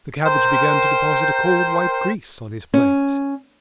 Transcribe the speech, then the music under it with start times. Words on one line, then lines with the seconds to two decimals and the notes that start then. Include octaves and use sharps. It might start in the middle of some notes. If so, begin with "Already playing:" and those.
The cabbage began to deposit a cold white grease on his plate.
0.24 A#4 C5 G5
2.74 C#4